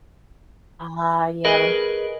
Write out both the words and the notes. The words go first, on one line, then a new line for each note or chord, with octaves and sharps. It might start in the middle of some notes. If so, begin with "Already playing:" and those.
Ah, yeah.
G#4 A#4 B4 D#5